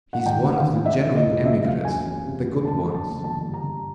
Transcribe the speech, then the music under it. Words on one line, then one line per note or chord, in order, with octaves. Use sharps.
He is one of the genuine emigres, the good ones.
F#5
D#2 G5
D#2 F#5
F5
D3
E3 E5
E3
D#5
C#2
F#2 E5
F#1 F5
F#2 G#5
E2
C3
E2
E2 A5
E2
A5
F#1
G1 A5
G3
A#5
G1